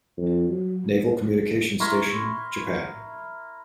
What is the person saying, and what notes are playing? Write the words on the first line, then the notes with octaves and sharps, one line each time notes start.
Naval Communications Station, Japan.
F2
F#3
E4 A#4 C6 C#6